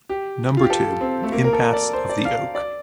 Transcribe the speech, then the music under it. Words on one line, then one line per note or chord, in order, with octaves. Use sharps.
Number two, impasse of the Oak.
G4
F4
G4
A4
C4
A3
A#3
A#4
A4
D5
C5
D5
F5
D5